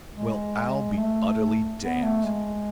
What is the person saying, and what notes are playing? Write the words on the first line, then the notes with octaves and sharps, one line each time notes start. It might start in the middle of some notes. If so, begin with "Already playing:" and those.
"Well, I'll be utterly damned!"
G#3
G#3
A3
B3
A3
G#3